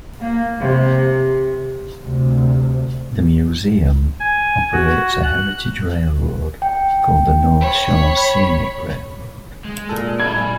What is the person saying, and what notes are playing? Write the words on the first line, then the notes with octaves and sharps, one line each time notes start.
The museum operates a heritage railroad called the North Shore Scenic Railroad.
A#3
C3
D2 C3
G#5
F#4
F#6
G5
C#5 B5
G#3
A#2 A4
D5 B5 G#6
G#5